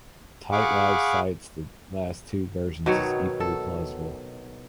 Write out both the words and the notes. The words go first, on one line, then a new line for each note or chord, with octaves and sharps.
Tite-Live cites the last two versions as equally plausible.
G#4 F5 F#5 B5 C#6 D6
B2 D#3 F#3 C#5
A4